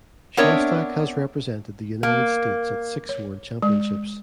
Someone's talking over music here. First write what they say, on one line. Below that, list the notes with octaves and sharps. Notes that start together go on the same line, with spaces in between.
Shostak has represented the United States at six World Championships.
B3 C4 D4 A#4 C#5 E5
A#3
C#5
G#3